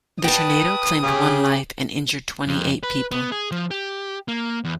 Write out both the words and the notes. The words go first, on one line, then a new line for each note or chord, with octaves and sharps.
The tornado claimed one life and injured twenty-eight people.
B4 G5 A5 D#6
C#3 G4 G#4
F2
B4
B3
G#4
F3
G4
A#3
E2